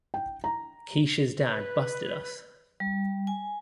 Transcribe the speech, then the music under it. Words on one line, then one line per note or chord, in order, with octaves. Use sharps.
Keish's dad busted us.
G5
A#5
B4
G3
G#5